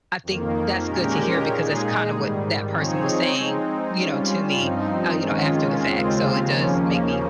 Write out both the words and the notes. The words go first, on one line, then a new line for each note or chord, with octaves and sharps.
I think that's good to hear because that's kinda what that person was saying, you know, to me, uh, you know, after the fact. So, it does make me
F2 D#3 A#3
A#2 G#3 C#4 G4 A#4
A#2 G#3 D#4 G#4
G#2 D#3 G3
F3 C4 D#4 G#4 C#5
G#3 C4 D#4
G3 C#4 F4
G2 F3 C4 D#4
D#3 G#3 C#4 F4
D#2 C#3 G#3 C4 F4
D#2 C#3 F3 A#3 C#4